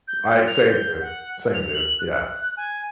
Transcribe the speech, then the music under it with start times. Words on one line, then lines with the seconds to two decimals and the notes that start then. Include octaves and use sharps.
I same, dude. Same, dude, yeah.
0.08 G6
0.47 F7
0.70 G6
1.01 F#5
1.54 F7
1.74 F#7
1.99 F#6
2.57 G#5